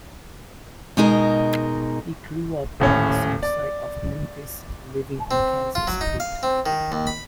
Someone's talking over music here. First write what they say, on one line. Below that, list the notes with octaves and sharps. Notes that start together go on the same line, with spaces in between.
He grew up on the south side of Memphis, living on Kansas Street.
B2 G#3 D#4 A#4
D#1 A2 C#4
D5
C4
F4
F#3
D#4
F5
C4
D#3
D#2
B5